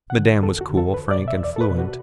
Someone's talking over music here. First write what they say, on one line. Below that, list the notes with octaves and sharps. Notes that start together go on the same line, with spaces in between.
Madame was cool, frank, and fluent.
F#5
D3
E2 A4
F#4
D3
A4
E2 B4
D5
B2
E5
E2 D5
A4
B4
B2
F#4